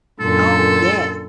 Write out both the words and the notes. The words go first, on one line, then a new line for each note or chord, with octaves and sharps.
Oh, yes.
F#2 A#2 D3 A4